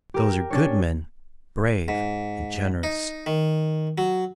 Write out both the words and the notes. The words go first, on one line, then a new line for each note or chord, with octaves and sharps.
"Those are good men, brave and generous."
G4 A#4
C#4 D4 C#5
G#2
D#4
D#3
F#3